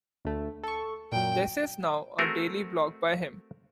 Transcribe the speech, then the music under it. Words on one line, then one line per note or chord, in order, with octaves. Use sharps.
This is now a daily blog by him.
D2 A3
A4 C#6
F#2 A#2 G5
A3 C4 F#4 G#4 A#4